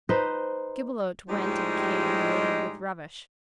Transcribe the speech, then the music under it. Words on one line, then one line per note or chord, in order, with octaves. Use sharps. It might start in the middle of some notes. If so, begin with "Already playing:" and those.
Gibelotte went and came loaded with rubbish.
D#4 B4 C5
A2 F3 G3 G#3 D#4 G4